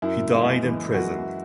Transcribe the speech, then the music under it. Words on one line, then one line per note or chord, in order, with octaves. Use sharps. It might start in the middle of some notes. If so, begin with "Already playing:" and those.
He died in prison.
F#2 E4
G#3
E3
F#2 F#4